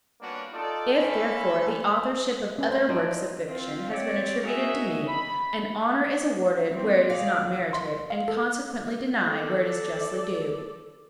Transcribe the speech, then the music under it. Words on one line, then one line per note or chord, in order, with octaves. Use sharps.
If, therefore, the authorship of other works of fiction has been attributed to me, an honour is awarded where it is not merited; and consequently, denied where it is justly due.
G3 A#3 B3 C#4 D4 F#4
D#4 F4 A4 D5
A2 D3 C#4 A4 E5 B5
C#4 B4
C5
F3 D#4 D5
C4 F4
C4 C#5 D5
D#4 F#4 G#4 A#4 D#5 E5
B5
A#3 C4
G#4 D5 F5
C6
F5
A4
A4 D5